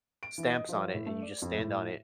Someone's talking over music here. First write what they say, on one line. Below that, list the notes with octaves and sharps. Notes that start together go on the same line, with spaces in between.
stamps on it, and you just stand on it,
D7
E3
D#5
F3
A2
A3
D5
F2
A2